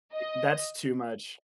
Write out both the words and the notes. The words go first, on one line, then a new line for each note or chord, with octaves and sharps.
I that's too much.
D#5